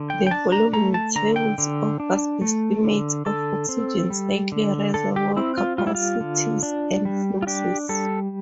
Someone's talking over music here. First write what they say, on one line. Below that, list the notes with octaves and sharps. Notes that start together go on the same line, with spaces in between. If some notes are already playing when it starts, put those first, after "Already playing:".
The following tables offer estimates of oxygen cycle reservoir capacities and fluxes.
Already playing: D3
G5
G5
D4 A5
A#5
A3 A#5
A5
D3 A#5
G5
D3
D4
A3
D3
D3 A4
C4
G3
D3
D3 A4
G4
C4 E4
F4
G3 F4
E4
F4
D3
D4
G3
F4
D4 G4
G3 A4